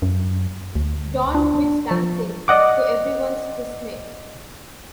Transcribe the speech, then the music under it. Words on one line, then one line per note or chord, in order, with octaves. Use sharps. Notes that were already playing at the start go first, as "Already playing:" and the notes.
John quits dancing, to everyone's dismay.
F#2
D2
D4
F3
D5 D#5 F#5 D6